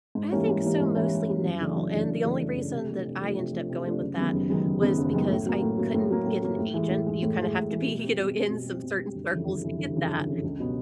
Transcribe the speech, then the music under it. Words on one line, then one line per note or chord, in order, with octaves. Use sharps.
I think so mostly now, and the only reason that I ended up going with that was because I couldn't get an agent. You, kinda have to be, you know, in some certain circles to get that.
G#2
E3 G3 A#3 C#4
G#2
E3 G3 A#3 C#4
G#2
E3 G3 A#3 C#4
G#2
E3 G3 A#3 C#4
F#2
C#3 E3 A3 D4
F#2
C#3 E3 A3 D4
F#2
C#3 E3 A3 D4
F#2
C#3 E3 A3 D4
C3
F3 A3 D4
C3
F3 A3 D4
C3
F3 A3 D4
C3
F3 A3 D4
F#1
F#2 D#3 G#3 B3
F#1
F#2 D#3 G#3 B3
F#1
F#2 D#3 G#3 B3
F#1
F#2 D#3 G#3 B3
A2
F#3 A#3
A2
F#3 A#3
A2
F#3 A#3
A2
F#3 A#3
A2
E3 G#3
A2
E3 G#3
A2
E3 G#3
A2
E3 G#3
B2
G3 C4
B2
G3 C4
B2
G3 C4
B2
G3
C4
G1
F2 C#3 E3
G1
F2 C#3 E3
G1
F2 C#3 E3
G1
F2 C#3 E3
C#2
B2 F#3 B3